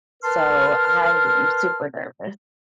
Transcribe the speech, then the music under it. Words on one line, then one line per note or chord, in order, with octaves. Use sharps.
So, I am super nervous.
A#4 B4 A5 C6 F6